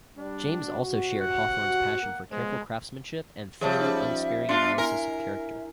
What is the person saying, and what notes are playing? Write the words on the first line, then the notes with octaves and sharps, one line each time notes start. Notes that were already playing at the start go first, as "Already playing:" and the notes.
James also shared Hawthorne's passion for careful craftmanship and thorough, unsparing analysis of character.
G3 D4
C3 F#4
F#5
A#3
F3 G#3 B3 C5
F3 G3 G#4 C#5 E5 A5
C#4 D#4
B3 D4 F4 C6 C#7
E4 A#4 G#5